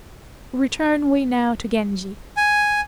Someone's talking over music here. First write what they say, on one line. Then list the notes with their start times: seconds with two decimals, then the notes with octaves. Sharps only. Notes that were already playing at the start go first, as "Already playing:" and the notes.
Return we now to Genji.
2.37 G#5